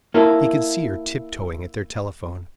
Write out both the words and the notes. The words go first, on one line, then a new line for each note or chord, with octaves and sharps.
He could see her tiptoeing at their telephone.
A#3 E4 A4